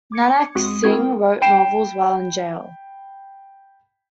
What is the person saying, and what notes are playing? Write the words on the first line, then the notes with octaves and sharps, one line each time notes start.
Nanak Singh wrote novels while in jail.
D6 G#6 C#7
E2 G#3 C4 F#4 D#6
C4 E4 F#4 A#4 G5 G#6
G5 B5 C7 D7 E7